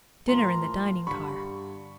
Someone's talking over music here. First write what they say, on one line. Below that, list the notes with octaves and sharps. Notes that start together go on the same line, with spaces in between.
Dinner in the dining-car.
A2 F3 A#3 A#5 C6
G2 D3 G3 B5 C#6